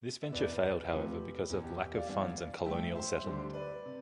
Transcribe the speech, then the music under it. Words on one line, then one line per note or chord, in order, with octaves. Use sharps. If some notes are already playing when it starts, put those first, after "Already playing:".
This venture failed, however, because of lack of funds and colonial settlement.
E5
E2 B2 B3 B4 D5
E2 C3 F3 A3 G4 B4
E2 B2 B3
G4
G4
D5 F5
G2 E3 B3 D5 F5
G2 F3 A3 E5 G5
C5 E5
D2 D3 G3
B4 D5
C3